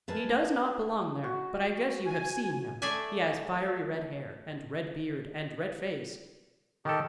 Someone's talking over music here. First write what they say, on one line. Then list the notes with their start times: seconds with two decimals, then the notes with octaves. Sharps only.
He does not belong there; but I guess you have seen him; he has fiery red hair, and red beard and red face.
0.08 G#4 A#4 B4 E5 A5
1.24 F#4
2.06 G#5
2.82 A3 G#4 D5 E5 G#5
6.85 D#3 G4 A4